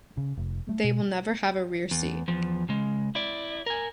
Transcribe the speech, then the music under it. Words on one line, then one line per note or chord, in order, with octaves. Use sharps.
They will never have a rear seat.
C#3
F1
A3
B2
E2
E2 F3
C#3 G#3
E4 D5
A#4 G#5